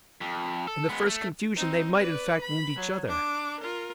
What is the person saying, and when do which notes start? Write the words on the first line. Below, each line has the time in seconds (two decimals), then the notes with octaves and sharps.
In the first confusion, they might, in fact, wound each other.
0.21 F2
0.67 A4
0.89 G#3 B3
1.06 A3
1.55 C4 D#4
1.98 B4 D5
2.41 B5
2.76 F#3
3.08 D4 D6
3.59 F4 A#4